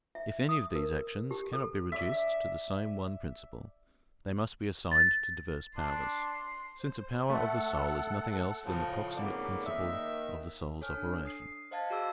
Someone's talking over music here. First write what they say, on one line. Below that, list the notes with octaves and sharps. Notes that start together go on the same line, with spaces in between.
If any of these actions cannot be reduced to the same one principle, they must be assigned to diverse powers; since a power of the soul is nothing else than the proximate principle of the soul's operation.
E5
D#6
A#4
G4
A4
D5 E5
A6
D4 C6
C5
A3 A4 F#5
A2 C#3 F3
F2 G#2 C#3 A#3 B3 D5
D#2 D#3 E5
A4 C#5 G#5 F6
D4
D#6 C7
C5 D#5 F5 A5 G#6 A6
F#4 G#4 D5 D6 E6